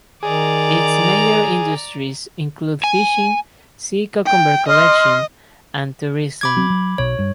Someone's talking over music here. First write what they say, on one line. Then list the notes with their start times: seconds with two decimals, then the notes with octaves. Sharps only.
Its major industries include fishing, sea cucumber collection and tourism.
0.23 D#3 G#4 D5 A#5
2.84 G#5
4.25 G5
4.68 D#5 C6 F6
6.41 B5 D6 G#6
6.57 F#3 C4
6.70 F#3
6.98 B1 B2 C#5
7.19 G2